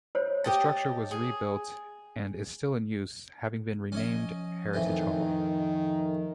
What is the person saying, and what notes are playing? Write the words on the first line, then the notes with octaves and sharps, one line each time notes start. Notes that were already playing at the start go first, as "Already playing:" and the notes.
The structure was rebuilt and is still in use, having been renamed Heritage Hall.
C5 C#5
G4 D#5 A5
G#4
F3 C#4 C#5 D#5
F2 A2 D#3 E3